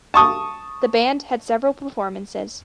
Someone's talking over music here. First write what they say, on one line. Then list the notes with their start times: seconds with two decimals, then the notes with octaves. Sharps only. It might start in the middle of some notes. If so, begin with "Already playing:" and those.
The band had several performances.
0.14 A5 C#6 D#6